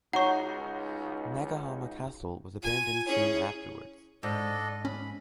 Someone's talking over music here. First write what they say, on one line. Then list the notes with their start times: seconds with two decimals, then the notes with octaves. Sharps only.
Nagahama Castle was abandoned soon afterwards.
0.13 C#2 D#4 F#4 C#5 F#5 A#5 C#6
2.63 F4 G#5
3.06 C#4 E4 G#4
4.23 G#2 D4 A4 D#5
4.85 C#4 B5